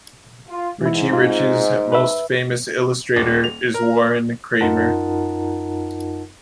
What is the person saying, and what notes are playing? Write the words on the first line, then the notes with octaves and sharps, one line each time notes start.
Richie Rich's most famous illustrator is Warren Kremer.
F4
G#2 E3 E4
C4 F4
B4 E5
D#1
F7
A#4
F#2 D#4 F4 A#4 F#5 A5